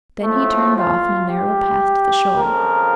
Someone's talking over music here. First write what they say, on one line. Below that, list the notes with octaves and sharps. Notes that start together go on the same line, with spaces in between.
Then he turned off in a narrow path to the shore.
A2 F3 A3
F4
G4
F2 C#3 F3 A#4